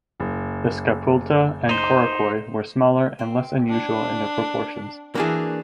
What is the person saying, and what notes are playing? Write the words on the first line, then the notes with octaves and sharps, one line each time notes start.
The scapula and coracoid were smaller and less unusual in their proportions.
F#1
D#4 C5
C4
D4
E3 A#3 D4 E4 F#4 G#4